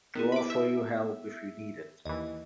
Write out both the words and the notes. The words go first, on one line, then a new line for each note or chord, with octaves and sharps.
To offer you help if you need it.
D#3 B3 E4 G#4
B5 D6
E5
D#2 E3 D#5